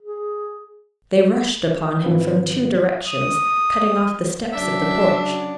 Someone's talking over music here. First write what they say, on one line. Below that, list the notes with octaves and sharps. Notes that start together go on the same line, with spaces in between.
They rushed upon him from two directions, cutting off the steps of the porch.
G#4
G#2 D#3 F3 C4 F4 B4
D#6
C#3 F#3 D4 E5